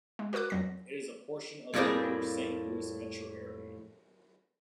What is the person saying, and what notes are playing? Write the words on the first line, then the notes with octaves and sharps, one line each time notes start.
It is a portion of the Greater Saint Louis metro area.
G#3
F#4 A#4 B4 D6 F#6
F2 F#3 A#6
F2 A2 G3 A#3 C4 G#4